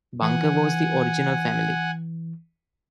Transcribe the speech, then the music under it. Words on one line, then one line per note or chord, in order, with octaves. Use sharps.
"Bunker" was the original family.
E3 F#5 G#5